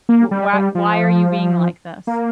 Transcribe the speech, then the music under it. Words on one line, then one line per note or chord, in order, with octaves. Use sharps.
Wh why why are you being like this?"
A#3
G3
G3
F3
A#3